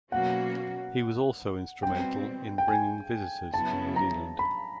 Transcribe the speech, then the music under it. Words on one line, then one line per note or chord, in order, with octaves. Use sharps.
He was also instrumental in bringing visitors to New Zealand.
B2 F#3 A#3 C#4 F#4 F#5
B2 G3 C4 G5
G5
G#5
C#3 F#3 B3 E4 A5
A#5
B5